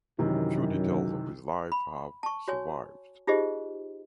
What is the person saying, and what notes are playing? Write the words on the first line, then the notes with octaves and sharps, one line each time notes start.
Few details of his life have survived.
F#2 C3 D#3 E3
B5
A5 C#6
F#4 C#5 G#5
D#4 F4 G4 G#4 C5 D#5